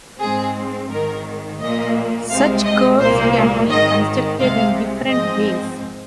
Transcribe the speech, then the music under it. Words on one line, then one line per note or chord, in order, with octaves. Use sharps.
Such curves can be constructed in different ways.
G#2 G#3 C4 G#4
G#1 G#2 D#3 A#4
A#1 A#2 A#3 D#5
C2 C3 G#3 C4 F5
D#5
C2 A#2 A#3 C5
G#1 G#2 D#3 D#5
C2 C3 G#3 F5
G#1 G#2 F3 G#3 C4 D#5